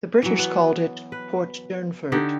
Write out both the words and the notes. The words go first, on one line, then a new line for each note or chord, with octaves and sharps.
The British called it "Port Durnford".
E3 F#3
B3
B4
D3 D#4 G4